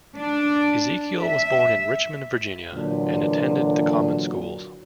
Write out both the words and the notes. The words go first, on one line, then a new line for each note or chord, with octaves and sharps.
Ezekiel was born in Richmond, Virginia, and attended the common schools.
D4
E5
A#2 D3 E3 F#3